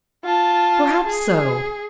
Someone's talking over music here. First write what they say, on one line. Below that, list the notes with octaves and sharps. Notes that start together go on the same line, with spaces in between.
'Perhaps so.
F4 A5
G#4